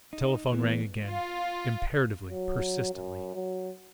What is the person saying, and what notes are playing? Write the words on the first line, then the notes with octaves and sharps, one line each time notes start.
The telephone rang again--imperatively, persistently.
D#4
E2 E3
F4
F#3
F#2
F#3